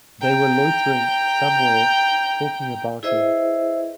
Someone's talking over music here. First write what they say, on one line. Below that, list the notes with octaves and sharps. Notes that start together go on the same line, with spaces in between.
They were loitering somewhere, talking about him.
G5 A#5
E4 G#4 B4 C5 D#5 E5